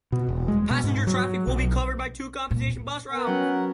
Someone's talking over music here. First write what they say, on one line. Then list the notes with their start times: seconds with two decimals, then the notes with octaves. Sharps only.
Passenger traffic will be covered by two compensation bus routes.
0.12 B2
0.29 E1
0.48 G#3
0.71 B2
0.84 G#2
1.07 F#3
1.47 B1
2.51 A#2
3.12 B3 A#4 F#5
3.27 F#3 C#4 G5